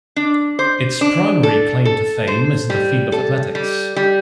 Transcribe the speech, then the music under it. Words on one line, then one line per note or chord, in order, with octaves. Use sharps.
Its primary claim to fame is in the field of athletics.
D4
C5
D4
A4
A4
C5
G3
A4
G3
G3